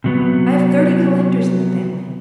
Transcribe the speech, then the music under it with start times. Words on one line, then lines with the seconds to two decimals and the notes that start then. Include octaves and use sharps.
I have thirty collectors in the family.
0.04 C3 F#3 B3